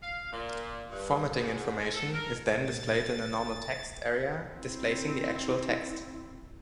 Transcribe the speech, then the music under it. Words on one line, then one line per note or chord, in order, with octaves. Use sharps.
Formatting information is then displayed in the normal text area displacing the actual text.
F5
A#2
G2
G#2
A4
A#4
A#2 A6
C4 E4